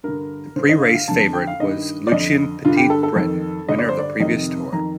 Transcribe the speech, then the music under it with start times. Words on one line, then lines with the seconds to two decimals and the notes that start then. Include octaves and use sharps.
The pre-race favourite was Lucien Petit-Breton, winner of the previous Tour.
0.04 G2 D3 A#4
0.56 G2 D3 C5
0.69 D#5
0.81 F5
0.95 F5
1.08 F2 D3 A5
1.21 A5
1.33 G5
1.47 F5
1.59 G2 D#3 D#5
2.07 D5
2.12 F2 D3 D#5
2.65 G2 D3 F4
2.77 G4
2.90 A4
3.03 A4
3.16 F2 D#3 A4
3.69 G2 D3 D#5
3.79 D5
3.89 C5
3.99 D5
4.20 F2 C3 D#3 D#5
4.73 F2 D#3 A#5